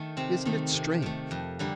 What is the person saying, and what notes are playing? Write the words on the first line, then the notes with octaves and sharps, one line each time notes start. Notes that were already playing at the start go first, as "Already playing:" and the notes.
Isn't it strange?
Already playing: D#3 A3
C3 C4
D#3 A3
C3
D#3 A3
F2
D3 G3 A#3